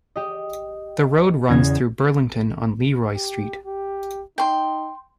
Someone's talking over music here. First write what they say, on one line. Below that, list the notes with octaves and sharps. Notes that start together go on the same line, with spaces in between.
The road runs through Burlington on Leroy Street.
G4 D#5
E2 C#3 C#4 G#6 A#6
G4
G4
D#4 G5 C6